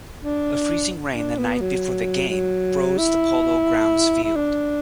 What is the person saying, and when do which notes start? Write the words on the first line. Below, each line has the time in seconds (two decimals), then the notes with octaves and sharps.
A freezing rain the night before the game froze the Polo Grounds field.
0.23 D4
1.14 D4
1.38 B3
1.60 F#3
2.28 F#3
2.98 E4
4.24 E4
4.35 D4